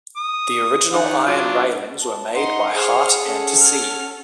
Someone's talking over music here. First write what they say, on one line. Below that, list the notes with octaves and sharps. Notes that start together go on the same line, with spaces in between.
The original iron railings were made by Hart and C.
D#6
D#3 F#5
F#3 D4 F4
A5
D#4 F#5 C6
G#4 C5 F6
C#4 A4
F6